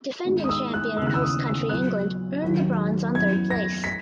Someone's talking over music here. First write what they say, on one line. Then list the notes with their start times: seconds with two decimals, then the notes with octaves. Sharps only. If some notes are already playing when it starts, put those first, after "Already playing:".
Defending champion and host country England earned the bronze on third place.
0.25 G#2 D#3 G#3 B3
0.44 D#6
0.49 E6
0.74 F#6
0.97 D#2 C#3 E3 B3 E6
1.07 F#6
1.14 E6
1.22 D#6
1.46 E6
1.69 A#2 F#3 B3 F#6
2.42 D#2 D#3 F#3
3.15 F#2 E3 B3 G#6
3.51 A#6
3.84 B6